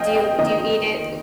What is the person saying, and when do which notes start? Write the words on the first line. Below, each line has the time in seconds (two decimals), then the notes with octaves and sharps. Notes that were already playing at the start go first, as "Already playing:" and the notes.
Do you do you eat it l
Already playing: F2 D#5 F5 G5 G#5
0.15 D#5 G5
0.38 F2 D#3 A#3 D#5